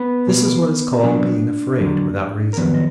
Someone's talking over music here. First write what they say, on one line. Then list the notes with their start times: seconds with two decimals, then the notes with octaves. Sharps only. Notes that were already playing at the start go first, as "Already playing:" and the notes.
This is what is called being afraid without reason.
Already playing: B3 B4
0.27 B2 A#3
1.03 B2 F#3 B3 D4 D5
1.80 D3 F#3 A#3
2.53 A#4
2.57 F2 D#3 F#3 B3 B4
2.74 D#5